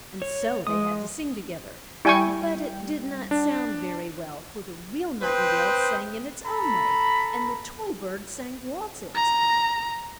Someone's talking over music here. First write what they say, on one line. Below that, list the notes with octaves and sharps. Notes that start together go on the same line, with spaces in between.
And so they had to sing together; but it did not sound very well, for the real Nightingale sang in its own way, and the toy bird sang waltzes.
C#5
G#3 D#6
G3 E4 G5 G#5 C#6
D4
C4 B4 C5 G5 D#6
A4 A#5 B5
A#5